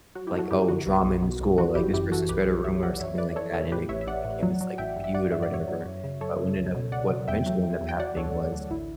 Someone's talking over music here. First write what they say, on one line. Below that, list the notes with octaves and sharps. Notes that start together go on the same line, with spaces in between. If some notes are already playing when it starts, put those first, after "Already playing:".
like, "Oh, drama in the school," or, like, "This person spread a rumor," or something like that, and it c it became this, like, feud or whatever. But what ended up what eventually ended up happening was
F#3 F#4
E4 G4
F#3
F#4 A4
F#2 E4 G4
D3 F#4
B1
B1
B2
B1
E3 F#4
G1 E4 G4
F#2 E4 G4
E3 F#4 A4
B1 G4 B4
B1
B1 C#5 E5
F#3 D5 F#5
F#2 C#5 E5
F#2 B4 D5
E3 A4 C#5
C#3 A4 C#5
A2 G4 B4
A1 C#5 E5
E5
A1 D5 F#5
A2
F#3
F#3
A1 E5 G5
G2
E5
G2 D5 F#5
G2 E5
D5
G2 C#5 E5
F#3
F#2
C#3
F#2 A4 C#5
C#3
C#2
B2
C#2 D5 F#5
F#3
E2 E5 G5
F#3
E2
E2
G5
F#3 D5 F#5
D2 A4 C#5
D2
D2
A1 E4